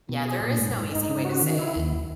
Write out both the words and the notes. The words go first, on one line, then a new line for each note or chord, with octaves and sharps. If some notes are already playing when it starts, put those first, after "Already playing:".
Yeah, there is no easy way to say it.
B2
G#4
A#2
G#2
G#2
D#4
C#3
F#4
D#3
E4
D#2